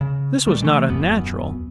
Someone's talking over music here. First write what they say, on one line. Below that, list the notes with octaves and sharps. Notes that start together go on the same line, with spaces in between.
This was not unnatural.
C#3
D#3 G3 A3
B2 E3 A3
D#1 F#2 B3